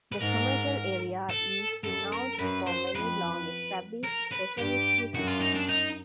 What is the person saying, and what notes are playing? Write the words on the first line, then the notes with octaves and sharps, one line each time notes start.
The commercial area is renowned for many long established specialist businesses.
B4
G#2 A#4
A4
F#2 A4
A#4
F#2 B4
C5
F2 B4
A#4
B4
G2 G4
F#2 F#4
F4
D#4
D4
D#4